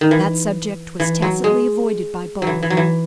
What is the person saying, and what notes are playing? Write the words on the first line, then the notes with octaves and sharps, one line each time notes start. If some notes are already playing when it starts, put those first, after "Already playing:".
That subject was tacitly avoided by both.
D#3
E3
E3
F#3
G#3
E3 F#3
E3
F#3
E3